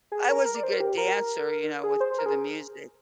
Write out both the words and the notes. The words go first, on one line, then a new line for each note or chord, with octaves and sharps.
I was a good dancer, you know, with to the music.
G#4
A#4
A#4
D5
C5
A#4
G4
A#4
G#4
C5
A#4
G#4